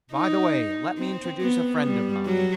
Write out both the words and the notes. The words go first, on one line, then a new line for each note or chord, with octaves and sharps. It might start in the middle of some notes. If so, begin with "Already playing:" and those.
By the way, let me introduce a friend of mine.
D#4
C4
B3
G3
F#3